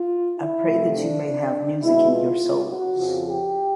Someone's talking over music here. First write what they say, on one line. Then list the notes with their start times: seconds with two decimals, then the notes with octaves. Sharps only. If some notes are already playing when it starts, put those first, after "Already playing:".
I pray that you may have music in your souls.
Already playing: F4
0.38 E4
0.67 C3 F3 A3
0.95 D4
1.82 B2 G#3 B3 E4
2.11 F4
2.69 F#4
2.98 F2 C#3 F3
3.27 G4